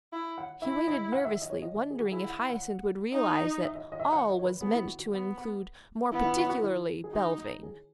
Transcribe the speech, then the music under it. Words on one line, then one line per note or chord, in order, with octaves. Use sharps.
He waited nervously, wondering if Hyacinth would realise that "all" was meant to include more particularly Belvane.
E4
F#5
E4 E5
D#5
F#5
E5
D#5
C#5
D#5
D#5
G#4
F#4
E4 G#4
F#5
F#5
D#4
E5
D#5
D#5
E5
F#5
D#5
C#5
B4
B3 G#4
E4
F#4
F#4
B3
B3 E4
E4
F#4
E4
F#4
E4
G#4
D#4 F#4
G#4